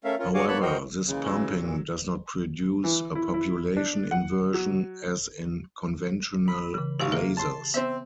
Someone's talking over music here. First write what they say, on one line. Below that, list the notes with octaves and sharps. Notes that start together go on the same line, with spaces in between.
However, this pumping does not produce a population inversion as in conventional lasers.
A3 C#4 A#4 E5 F5
C#4 F4 A#4
F#4 G#4 C#5 F5 G#5 D6
A#3 B3 C#5 A5 B5 F#6
F#4 A#4 C5 D#5 G5
C#3 E3 G#3 A#3
F#3 E6
A#2 E3
E3
E4
E4
D4
F#5
F#3
B5
C#3 E3
G#1 G4 F5 C#6
A#3 G#4 E5
A5 C6
B3 C4 C5 E5